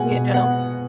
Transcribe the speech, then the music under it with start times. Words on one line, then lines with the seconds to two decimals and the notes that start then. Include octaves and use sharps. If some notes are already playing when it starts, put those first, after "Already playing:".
You know?
Already playing: B2 G#3 B3 F#5 G#5
0.11 B2
0.34 B3 F#5